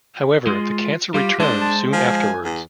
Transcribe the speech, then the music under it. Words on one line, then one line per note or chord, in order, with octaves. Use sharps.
However, the cancer returned soon afterwards.
G#3 F4
G3 F4 G4
G#3 D4 C5 A5
A5
F3 G#5
E2